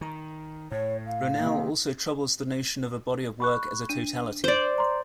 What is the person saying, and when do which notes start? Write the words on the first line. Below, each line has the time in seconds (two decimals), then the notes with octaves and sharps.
Ronell also troubles the notion of a body of work as a totality.
0.01 D#3
0.72 A2 C#5
1.06 F5
1.39 C3 D#3 A#3
3.40 B5 C#6 F#6
3.89 D4 D#7
4.44 C5 D5
4.78 A#5 C6